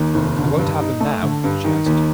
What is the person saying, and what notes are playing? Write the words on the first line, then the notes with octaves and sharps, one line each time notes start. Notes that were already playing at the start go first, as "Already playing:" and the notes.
'I won't have them now,' she answered.
Already playing: D#2 D#3
F1
D3
G2
D#4
A3
D3
G2
D#3
D#2